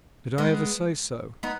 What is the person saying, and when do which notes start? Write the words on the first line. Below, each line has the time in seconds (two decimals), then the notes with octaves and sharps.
"Did I ever say so?"
0.38 G#3 B3
1.43 B3 D#4